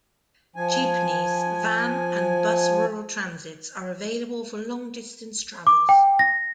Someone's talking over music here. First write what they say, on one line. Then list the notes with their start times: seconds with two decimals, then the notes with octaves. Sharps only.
Jeepneys, van, and bus Rural Transits are available for long-distance travels.
0.56 F3 G#5
5.67 D6
5.89 G5
6.19 A#6